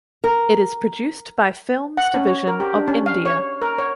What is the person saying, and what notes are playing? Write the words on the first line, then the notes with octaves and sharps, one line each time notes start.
It is produced by Films Division of India.
A#4
F#5
C#4
C#5
A#4
G4
D4
C#4
F5
C#5
A#4
C#5